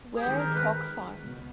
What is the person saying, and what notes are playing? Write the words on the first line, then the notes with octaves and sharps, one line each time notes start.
Wares hog farm.
G#4
D#3 G#3 C4 G4
A#4
B4
C#2 B2